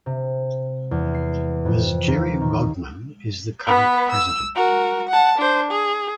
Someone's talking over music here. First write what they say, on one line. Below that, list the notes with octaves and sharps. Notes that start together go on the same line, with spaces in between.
Ms. Geri Rodman is the current president.
C3
E2
C7
F2
D#2
D#3
B3 B4
E6
F#4 A#4
F#5 A5
D4 C5
G#4